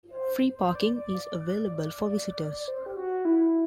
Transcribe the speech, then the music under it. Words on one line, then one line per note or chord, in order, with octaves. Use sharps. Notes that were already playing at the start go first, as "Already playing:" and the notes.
Free parking is available for visitors.
C5
C5
D5
D5
C5
G4
F#4
E4